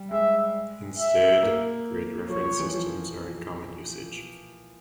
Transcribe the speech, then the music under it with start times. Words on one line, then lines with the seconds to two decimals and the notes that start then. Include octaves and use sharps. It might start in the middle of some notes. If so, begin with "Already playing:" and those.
Instead grid reference systems are in common usage.
Already playing: G3
0.11 G#3 E5
0.98 E5
1.42 A#3
2.30 F3 C#5
2.45 F3
2.59 E3
2.74 F3